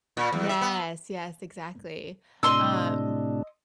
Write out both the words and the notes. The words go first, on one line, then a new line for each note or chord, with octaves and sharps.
Yes, yes, exactly. Um,
A#2
E2
E5
B3
A2 C3 D4 D#5 C6 E6